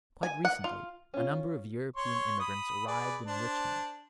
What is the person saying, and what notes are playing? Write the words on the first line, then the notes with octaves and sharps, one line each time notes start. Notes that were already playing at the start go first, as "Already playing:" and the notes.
Quite recently a number of European emigrants arrived in Richmond.
G#5
F#5
F4
C#4 F4
C#5 C6 C#6
B5 D#6
G#4 B4 D5
D4 C5 A5